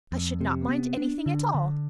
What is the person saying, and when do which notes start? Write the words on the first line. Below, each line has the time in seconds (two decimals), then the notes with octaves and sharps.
"I should not mind anything at all."
0.12 F2
0.41 C3
0.69 B3
0.97 D4
1.26 D3
1.55 D3